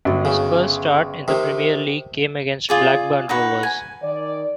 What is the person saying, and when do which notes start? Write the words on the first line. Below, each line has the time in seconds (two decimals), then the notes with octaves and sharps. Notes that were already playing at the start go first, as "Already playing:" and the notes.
His first start in the Premier League came against Blackburn Rovers.
0.05 G1 F#3
0.25 C#3
1.28 C3 D#3
2.69 F4 G#4 D5
3.29 D#4 F#4 B4
3.63 G#5
4.02 D#3 D5